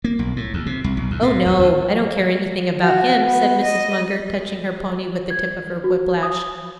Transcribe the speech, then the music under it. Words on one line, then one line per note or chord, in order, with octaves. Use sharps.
"Oh no; I don't care anything about him," said Mrs. Munger, touching her pony with the tip of her whip-lash.
A#3
B1
A2
D#2
C3
C2
B1
D#2
A2
D#2
D2
F#4
B3
D#5
G#6
F#4
D#6